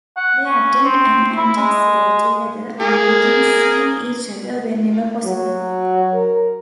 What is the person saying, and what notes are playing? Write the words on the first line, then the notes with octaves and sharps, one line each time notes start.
They attend an antique sale together and begin seeing each other whenever possible.
F#5
C#4
C4
E4
G#3
A#3 G#4 A#4
F#3
A#4